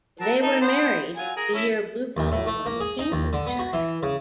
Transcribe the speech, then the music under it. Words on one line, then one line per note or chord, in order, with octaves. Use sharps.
They were married "the year Bluebottle won the Cambridgeshire".
F#3 A#4 A5
D#4 A4 A5
B3 C5
F#3 F4 G#5
G#4 A#4
C#4 E4 A4
D#2
A2
A3
A#3
G#4
D#4
D#2
D3
B3
F#4
E3
C#3